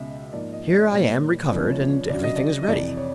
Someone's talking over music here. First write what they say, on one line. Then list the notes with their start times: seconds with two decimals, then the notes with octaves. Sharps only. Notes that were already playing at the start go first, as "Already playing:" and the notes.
"Here I am recovered and everything is ready."
Already playing: C#2 B2 G#3 E5
0.33 G#2 F3 A#3 D5
0.53 D#5
0.73 D5
0.91 A#2 G3 A#3 C#5
1.51 D2 C#3 F3 G#3 B3 D5
1.70 C#5
1.89 C#5
2.09 D2 C#3 F#3 D5
2.23 D#5
2.36 D5
2.63 D#5
2.68 F2 C3 E3 D5
2.97 C#5